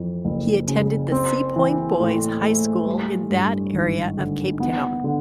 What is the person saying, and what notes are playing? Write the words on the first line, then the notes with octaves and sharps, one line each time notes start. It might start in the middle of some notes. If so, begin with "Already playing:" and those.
He attended the Seapoint Boys' High School in that area of Cape Town.
Already playing: F2 E3
F#1
C#3
C4
E3
A2
A3
G3
G2
G#1
D3
B3
D3